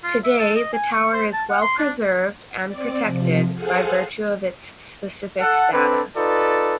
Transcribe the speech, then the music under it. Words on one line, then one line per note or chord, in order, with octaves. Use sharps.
Today the tower is well preserved and protected by virtue of its specific status.
F4
E5
A4
D#5
G#5
C#6
C5
A5
F#5
C6
D4
C4 D5
C3 F3
G#4 A4 C5 F5 F#5 G#5
A4 F#5
C4 D4 A4 B4
D#4 F4 A4 B4 D5